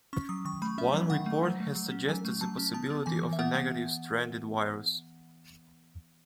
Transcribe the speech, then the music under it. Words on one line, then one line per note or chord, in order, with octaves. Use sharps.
One report has suggested the possibility of a negative stranded virus.
C#4 C#6
F#3 D#6
D#3 C#6
A3 B5
C#4 E5
F#3
D#3 F#5
A3
F#3
A3
F#3
C#4
F#3 G#5
A3
F#3 A5
C#4
B3 A5
B3
E3 G#5
E3
E5
B3 F#5
B3